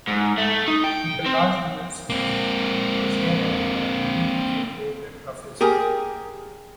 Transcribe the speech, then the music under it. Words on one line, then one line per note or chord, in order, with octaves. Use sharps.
In the last years Russia has won three major European trophies.
G#2
A3
D#4
G5
C4
A#3 C4
G4 G#4 A#4